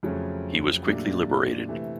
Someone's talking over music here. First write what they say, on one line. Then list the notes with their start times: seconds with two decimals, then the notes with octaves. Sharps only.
He was quickly liberated.
0.03 F2 C#3 F#3 A3 C#4
0.86 A#2 F#3 A3 D4 G4
1.68 C3 E3 A3